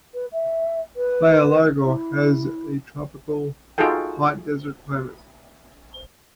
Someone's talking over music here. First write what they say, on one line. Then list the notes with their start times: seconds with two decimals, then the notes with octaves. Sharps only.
Faya-Largeau has a tropical hot desert climate.
0.14 B4
0.32 E5
0.96 B4
1.84 E4
3.78 D#4 F4 F#4 G#4 A4 G5